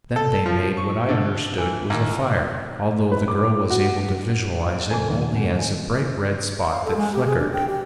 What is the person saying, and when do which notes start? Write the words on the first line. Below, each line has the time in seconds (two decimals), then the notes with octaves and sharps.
Then they made what I understood was a fire, although the girl was able to visualize it only as a bright red spot that flickered.
0.16 A4
0.46 F3
0.77 C#6
1.09 D3
1.58 E3
1.90 D#2
3.12 B4
3.28 D6
3.70 F#4
4.79 C5
4.91 D#2 A2 C#3 A4 G#5
5.08 B2 D#3 F#3
5.21 F#5
5.36 C4 A4
5.55 G#2 F5 G#5
6.70 F5
6.85 A4
6.96 G#3
7.13 G4
7.27 G#4
7.39 D4
7.52 G5
7.68 G4